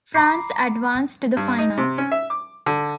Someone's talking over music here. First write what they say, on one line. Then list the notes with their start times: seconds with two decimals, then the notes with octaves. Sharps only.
France advanced to the final.
0.14 A#5 B5 D6 C7
1.37 G2
1.59 D#4
1.77 C3
1.98 C#4
2.12 E5
2.30 D6
2.66 D3